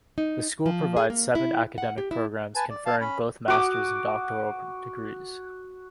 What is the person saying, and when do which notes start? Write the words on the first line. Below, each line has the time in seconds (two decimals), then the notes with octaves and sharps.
The school provides seven academic programs conferring both masters and doctoral degrees.
0.18 D#4
0.66 F3
0.97 G#4
1.10 A#3
1.35 E4
1.78 F#5
1.98 G4
2.11 E4
2.55 B4 G#5 A5
2.70 D5
2.86 F5 A5
3.01 C#4 B5
3.48 F#4 D6 D#6